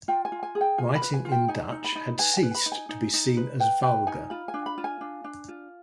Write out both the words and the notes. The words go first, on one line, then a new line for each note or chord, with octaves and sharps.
Writing in Dutch had ceased to be seen as vulgar.
F4 G5
G#5
F4
G#5
G#4
G5
F4 G#5
B5
B4
G#5
F4
G5
D#4 G#5
D#4
B5
D#4
B4 G#5
G#5
B4
B5
D#4
G#5
D#4
D#4
B4
B4 G5
B4 G5
D#4 G#5
F4 B5
G#5
D4
B5
F4
G#5
D4
D4
F4